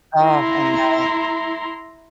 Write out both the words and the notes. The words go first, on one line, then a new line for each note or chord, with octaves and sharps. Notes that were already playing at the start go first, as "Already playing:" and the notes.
Oh, I know.
E4 A#5 C6